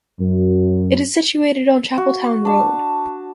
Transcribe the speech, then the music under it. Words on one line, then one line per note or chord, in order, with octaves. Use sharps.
It is situated on Chapeltown Road.
F#2
F#4
D4 A5